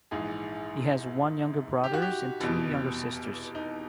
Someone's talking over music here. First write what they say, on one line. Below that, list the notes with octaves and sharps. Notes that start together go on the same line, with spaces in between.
He has one younger brother and two younger sisters.
A#1 G#2 E3 G#4
G4
F#4
G4
F1 E2 B2
D#4